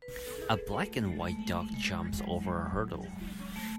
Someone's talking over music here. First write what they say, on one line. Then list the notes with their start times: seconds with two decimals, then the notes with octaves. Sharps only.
A black and white dog jumps over a hurdle.
0.02 B4
0.13 B4
0.25 A4
0.36 G#4
0.82 A3
1.05 G#3
1.27 A3
1.74 G#3
2.20 F#3
2.65 F#3
3.10 G#3
3.56 A3